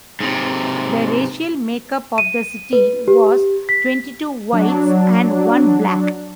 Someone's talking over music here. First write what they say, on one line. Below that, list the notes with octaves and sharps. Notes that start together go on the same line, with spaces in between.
The racial makeup of the city was twenty-two whites and one black.
G#2 C3
D#7
B4
G4
B6
F#3 D4